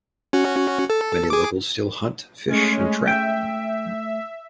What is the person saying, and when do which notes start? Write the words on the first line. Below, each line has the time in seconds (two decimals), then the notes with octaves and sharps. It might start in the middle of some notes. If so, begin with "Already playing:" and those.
Many locals still hunt, fish, and trap.
0.33 C#4 F#4
0.90 A4
1.30 G#4 D6
2.49 G#3 A3 C#4
3.08 E5 G5